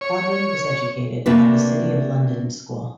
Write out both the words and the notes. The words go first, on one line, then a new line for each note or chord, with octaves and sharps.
Quadling was educated at the City of London School.
C#5
C3 A3 A#3 D4 F#4 B4